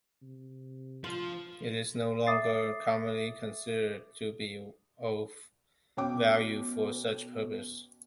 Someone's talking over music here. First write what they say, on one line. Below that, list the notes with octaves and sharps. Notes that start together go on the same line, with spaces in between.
It is no longer commonly considered to be of value for such purposes.
C3
F3 F4
E5 D6 D#6 A6 C7
B2 C#4 G5 D6